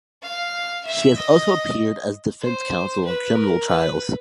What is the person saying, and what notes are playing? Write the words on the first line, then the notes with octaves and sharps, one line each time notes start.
She has also appeared as defence counsel in criminal trials.
F5
E5
D#5
C5
B4
A#4
B4